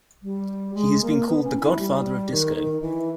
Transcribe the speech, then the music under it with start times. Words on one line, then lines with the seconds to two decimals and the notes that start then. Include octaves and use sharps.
He has been called "the Godfather of disco".
0.23 G3
0.74 G#3
1.01 A#3
1.27 B3
1.44 C#4
1.60 E4
1.79 G3
2.30 D#3
2.56 D#3
2.81 E3